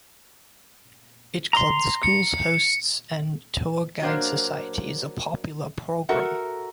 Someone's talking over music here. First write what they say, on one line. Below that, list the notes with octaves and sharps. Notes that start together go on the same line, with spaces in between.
H-Club, the school's hosts and tour guide society, is a popular program.
A#5 C6
C#7
F#3 A#3 D4 C5 F5
F#4 A4 A#4 E5 F#5